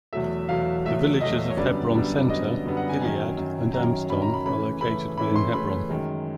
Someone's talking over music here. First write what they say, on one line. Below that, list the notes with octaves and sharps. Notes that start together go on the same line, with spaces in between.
The villages of Hebron Center, Gilead and Amston are located within Hebron.
E2 B2 F#3 A3 E5
E2 B2 F#3 A3 F5
E2 B2 F#3 A3 E5
E2 B2 F#3 A3 D#5
C#5
F#2 D3 G3 B3 D5
F#2 D3 G3 B3
F#2 D3 G3 B3 D#5
F#2 D3 G3 B3
F#5
G#5
F#2 D#3 F#3 G#5
F#2 D#3 F#3
F#2 D#3 F#3 A#5
F#2 D#3 F#3 B5
A#5
B5
C#3 E3 A3 C#4 B5
C#3 E3 A3 C#4 B5
C#3 E3 A3 C#4 B5
C6
C#3 E3 A3 C#4 B5
F#2 D#3 G#3